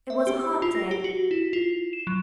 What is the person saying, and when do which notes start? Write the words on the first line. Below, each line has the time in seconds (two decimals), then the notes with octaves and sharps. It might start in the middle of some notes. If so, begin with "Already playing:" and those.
It was a hot day.
0.10 E5
0.27 G4
0.39 E6
0.62 F4
0.75 A#6
0.91 G4
1.04 F#4
1.31 E4
1.53 F4
1.93 E7
2.07 F#3